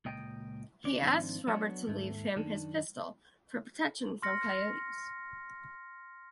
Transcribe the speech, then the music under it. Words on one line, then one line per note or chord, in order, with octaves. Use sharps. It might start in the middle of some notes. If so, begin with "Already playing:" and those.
He asks Robert to leave him his pistol, for protection from coyotes.
C#2 A#2 D#5 G5
D2 D5
G#2 D#3 F3 C4 D4 F4
F#3 B3 D4 C#5
D#2 G#2 A3
F#2 D#3 D4
C6 F6 A#6 C#7